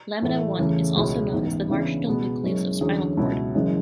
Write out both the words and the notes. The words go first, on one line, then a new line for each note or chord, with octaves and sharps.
Lamina I is also known as the marginal nucleus of spinal cord.
A2 E3 A3
E2 C#3 E3 A3
C#2 B2 G#3 C#4 E4
A1 G#2 E3 B3
C#3 E3 B3 D4
B2 G#3 B3
F#1 F#2 C#3 G#3 C#4
E2 D3 F#3 C#4 G#4
C#2 B2 F#3 C#4 E4
F#1 F#2 C#3 E3 G#3